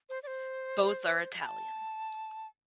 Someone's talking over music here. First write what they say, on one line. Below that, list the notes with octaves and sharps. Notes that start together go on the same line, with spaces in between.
Both are Italian.
C5
D5
C5
B5
A5